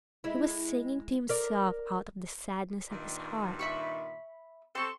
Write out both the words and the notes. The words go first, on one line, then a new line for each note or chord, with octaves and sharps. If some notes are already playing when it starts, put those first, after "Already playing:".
He was singing to himself out of the sadness of his heart.
G#3 E4
A#4 D5
G2 A#2 D#3
E5 B5 C#6
C4 A4 C6 C#6